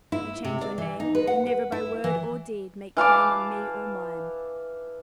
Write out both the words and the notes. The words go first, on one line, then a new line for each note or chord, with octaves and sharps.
You change your name; you never by word or deed make claim on me or mine.
E4
C3
D5
E3
D#4
B4
F#5
B4
E4
E3
E3 F5 A5 D6